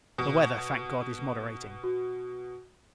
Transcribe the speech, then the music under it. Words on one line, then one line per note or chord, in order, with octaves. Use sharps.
The weather, thank God, is moderating.
B2
F#4